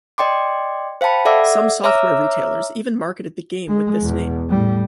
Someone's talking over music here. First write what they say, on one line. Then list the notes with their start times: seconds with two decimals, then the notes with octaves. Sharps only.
Some software retailers even marketed the game with this name.
0.18 D5 D#5 G5 C6 D6
1.01 C5 F5 G5 A5 B5
1.25 A4 D5 E5 F#5 D6 E6
1.84 C#5 E5 A#5 D6 E6 F6
3.69 G#3
4.01 E2 B2
4.50 A2 G3